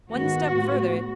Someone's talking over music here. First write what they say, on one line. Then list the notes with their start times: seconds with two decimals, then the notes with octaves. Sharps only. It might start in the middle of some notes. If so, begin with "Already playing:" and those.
'One step further....
0.11 D#2 D#3 G#3 B3 F#4
0.50 A2 G#3 B3